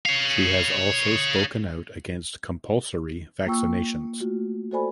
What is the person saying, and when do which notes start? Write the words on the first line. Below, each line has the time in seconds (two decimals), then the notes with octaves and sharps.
She has also spoken out against compulsory vaccinations.
0.05 C#5 F5
3.46 A#3 F4 G5 C#6 E6
4.20 A3 F4 F#4
4.71 F#4 A4 C5 D5 G#5 B5